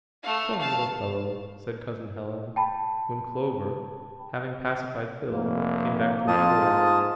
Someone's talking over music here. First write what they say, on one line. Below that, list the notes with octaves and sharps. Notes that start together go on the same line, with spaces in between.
"Poor little fellow!" said Cousin Helen, when Clover, having pacified Phil, came back to report.
A3 F5
F5 A5
G5 A5 B5
F1 A#3
F2 F4 A5 D#6
G#2